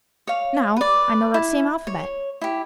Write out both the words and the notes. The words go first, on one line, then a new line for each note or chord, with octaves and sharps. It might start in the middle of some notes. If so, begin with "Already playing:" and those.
Now, I know that same alphabet.
C#5 F5
B4 D5
E4
C#5
E4 G4